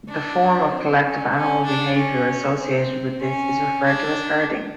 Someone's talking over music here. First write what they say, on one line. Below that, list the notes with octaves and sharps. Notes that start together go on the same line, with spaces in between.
The form of collective animal behavior associated with this is referred to as "herding".
D4
C4
C#4
C#4
D4
C#4
C4
C#4
D4